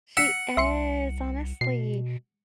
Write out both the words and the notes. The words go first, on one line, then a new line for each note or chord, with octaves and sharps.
She is, honestly.
F#5 E6 B6
C2 E5 C6 C#7
B2 C7